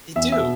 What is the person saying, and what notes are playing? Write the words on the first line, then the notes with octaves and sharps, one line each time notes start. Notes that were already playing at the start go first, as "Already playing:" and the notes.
They do.
E2 E5
E5
B2